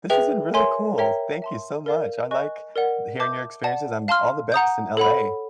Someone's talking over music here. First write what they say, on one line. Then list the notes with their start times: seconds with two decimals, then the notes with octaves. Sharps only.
This has been really cool. Thank you so much. I like th hearing your experiences. I'm all the best in LA.
0.10 G#4 B4 E5 G5
0.54 A#4 C#5 E5 G#5 C6
0.98 A#4 C#5 E5 G5 A#5
1.42 E5 A5 C6
1.86 A#4 D5 F5
2.31 D#5 G#5 C#6 F#6
2.76 A#4 D5 F#5
3.19 E5 A5 D6 G6
3.64 D5 F#5 A5
4.08 F5 A5 C6 F6
4.52 F#5 A#5 D#6 G6
4.97 A4 C#5 F#5 B5